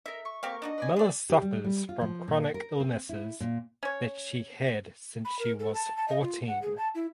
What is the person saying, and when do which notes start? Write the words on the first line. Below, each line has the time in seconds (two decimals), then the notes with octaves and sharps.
Miller suffers from chronic illnesses that she had since she was fourteen.
0.06 D#4 A#4 E5
0.25 C#6
0.43 A#3 C4 G4 A#4 F5 C#6
0.62 D4 D#4 F#4 D#5
0.78 B4 D5 G#5
0.96 D4 G#4 D5
1.30 G4
1.42 G3
1.64 G3
1.89 F4
2.01 F3
2.28 A#2
2.54 A#4
2.80 C4
3.09 E4
3.40 A#2
3.83 C#4 C#5
5.25 B5
5.39 A#4
5.59 A4
5.74 A5
5.97 A5
6.08 D#5
6.22 F4
6.47 F#5
6.62 G#4
6.78 A5
6.95 E4